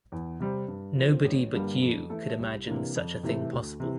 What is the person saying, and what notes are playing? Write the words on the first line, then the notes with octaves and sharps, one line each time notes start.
Nobody but you could imagine such a thing possible.
E2
C3 G3 C4
G2
F3 C4
A1
G2 D3 G3 A#3
F2
E3 A3 E4 A4
C2
C3 E3 A#3 D4
F2
C3 E3 A3 E4
D2
C3 E3